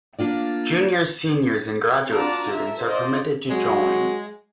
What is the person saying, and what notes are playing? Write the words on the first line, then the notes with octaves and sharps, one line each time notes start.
Juniors, seniors, and graduate students are permitted to join.
A#3 D4 F4 D5
D4 F4 F#4 D5 A5 A#5
A4 E5
F4 C5 D5 D#5
F#3 G#3